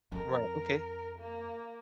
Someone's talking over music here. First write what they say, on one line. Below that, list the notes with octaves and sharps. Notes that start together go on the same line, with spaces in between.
Right, okay,
F2 A#4
A#3